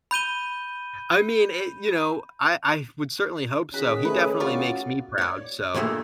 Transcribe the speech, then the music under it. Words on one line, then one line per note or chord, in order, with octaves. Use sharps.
I mean it You know, I I would certainly hope so, he definitely makes me proud, so.
B5 G6 D#7 G7
D#3 C#4 F#4 G#4 B6
A3 B4
F4 F#4 D5 C#6
C#5 D5
E2 G2 A#2 G#3 A3